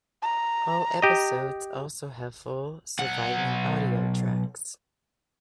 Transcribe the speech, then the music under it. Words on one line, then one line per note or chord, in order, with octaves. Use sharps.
All episodes also have full surviving audio tracks.
A#5
G4 D#5
B1 F#5